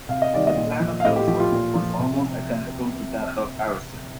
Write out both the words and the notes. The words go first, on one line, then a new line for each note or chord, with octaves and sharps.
The plan of Ellsworth was almost identical to that of Arrowsmith.
C3 F5
D#5
D#3 G3 D5
D#5
A#2
F3
F5
A2 D#5
G4
F3 G4
F4
A#2
F3
C3